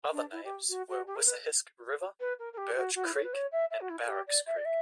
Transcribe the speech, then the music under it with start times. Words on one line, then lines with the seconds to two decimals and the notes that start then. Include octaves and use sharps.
Other names were Wissahisk River, Birch Creek, and Barracks Creek.
0.12 D4
0.32 E4
0.44 G4
0.69 F#4
0.88 F#4
1.07 G4
1.16 A#4
1.26 B4
2.20 B4
2.39 A#4
2.53 A#4
2.57 G4
2.76 F#4
2.95 F#4
3.05 E4
3.15 C#5
3.24 B4
3.33 C#5
3.52 E5
3.71 E5
3.80 F#4
3.89 E4
4.05 A#4
4.08 G4
4.27 D5
4.46 E5
4.57 D5
4.65 E5